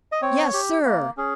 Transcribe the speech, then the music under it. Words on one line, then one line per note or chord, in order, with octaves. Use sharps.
"Yes, sir."
D#5
C4 C#5
G4
A#3
C#4 G#4